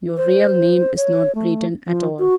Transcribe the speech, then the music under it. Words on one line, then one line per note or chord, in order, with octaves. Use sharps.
Your real name is not Breton at all.
C5
C#5
A3
F3
F#4